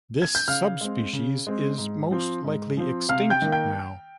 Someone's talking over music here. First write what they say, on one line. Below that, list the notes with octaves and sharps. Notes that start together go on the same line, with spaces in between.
This subspecies is most likely extinct now.
G#6
G6
C#3 F5 F6
G#3 C4
C#3
G#3 C4
G#2
F3 C4
G#2
F3 C4
C3 F5 F6
G5 G6
D#3 A#3
G5 G6